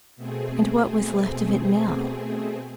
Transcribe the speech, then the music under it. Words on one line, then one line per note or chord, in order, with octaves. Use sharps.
And what was left of it now?
B2 A3 C4 G#4